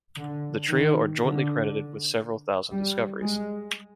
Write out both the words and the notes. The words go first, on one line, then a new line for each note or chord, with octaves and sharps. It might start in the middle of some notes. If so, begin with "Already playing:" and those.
The trio are jointly credited with several thousand discoveries.
D3
D#3
D3
G3
G#3